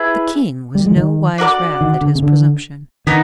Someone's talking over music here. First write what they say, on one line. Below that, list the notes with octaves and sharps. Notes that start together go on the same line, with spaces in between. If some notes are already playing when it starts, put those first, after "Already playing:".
The King was no wise wrath at his presumption.
Already playing: E4 G#4 B4 E5
G3
G#3
E3
D#3
D4 F#4 A#4 D5
D#3
D3
C#3
D3
D#3 B3 D#4